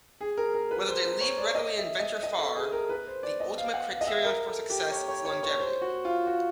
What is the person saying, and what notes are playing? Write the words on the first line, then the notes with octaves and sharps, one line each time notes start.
Whether they leave readily and venture far, the ultimate criterion for success is longevity.
G#4
A#4
A#4
B4
C5
C5
C#5
D5
D#5
E5
D#5
D#5
A4
G#4
A#4
B4
C5
D5
D#5
F5
F#5
F5
D#5
E5
A#4
A4
G4
C#5
C#5
C#5
C#5
C5
F#4
F4
F#4